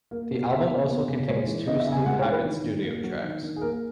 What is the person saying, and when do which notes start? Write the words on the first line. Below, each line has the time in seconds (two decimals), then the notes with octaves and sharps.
The album also contains two Steve Hackett studio tracks.
0.11 A#3
0.31 B2
0.50 B2 E5
0.69 A#3
0.89 B3
1.09 C#3
1.28 G#3 C#5
1.47 E3
1.67 B3 D#5
1.80 E5
1.87 C#3
1.92 G#5
2.06 G#3 F#5
2.19 C#5
2.25 E3
2.32 B4
2.45 D#3
2.64 D#3
2.83 A#3
3.04 F#3
3.22 D#3
3.42 D#3
3.56 G#4
3.61 A#3 A#4